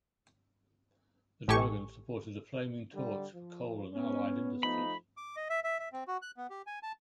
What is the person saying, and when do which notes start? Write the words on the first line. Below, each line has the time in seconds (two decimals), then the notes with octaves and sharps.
The dragon supported a flaming torch for coal and allied industries.
1.48 A1 A2 G4 A4 G#5 C#6
2.94 D3 G3
3.34 F3
3.94 B3 C#4
4.63 F3 A3 D#4 B5
5.17 D6
5.36 D#5
5.50 E5
5.64 E5
5.79 E5
5.93 C4
6.08 F#4
6.22 F#6
6.37 B3
6.50 G4
6.67 G#5
6.83 A5